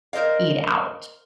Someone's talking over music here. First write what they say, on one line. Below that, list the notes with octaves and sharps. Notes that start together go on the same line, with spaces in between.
eat out."
A#4 C5 D#5 F5